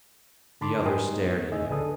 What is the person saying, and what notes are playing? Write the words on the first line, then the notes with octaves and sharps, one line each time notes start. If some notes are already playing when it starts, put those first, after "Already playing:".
The other stared at him.
D3 A5 B5 C6 D6
G4 A#4 G#5 B5 C6 D#6
G3 G#3 D#4
B3
F2 A2 D#4 G#4 D#5 E5
D3 D4 G#4 A4 B4 D#6